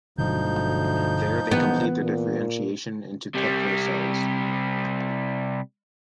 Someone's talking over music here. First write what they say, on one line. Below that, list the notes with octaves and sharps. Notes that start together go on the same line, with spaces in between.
There they complete their differentiation into Kupffer cells.
G1 D2 B2 F3 F#3 D#4 G6
A#1 E3 B3
A#2
C3 G3